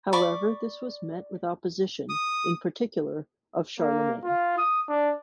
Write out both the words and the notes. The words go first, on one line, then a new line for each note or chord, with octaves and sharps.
However this was met with opposition, in particular of Charlemagne.
D5 B5 C#6 D6
D#6
A#3
F4
D#6
D4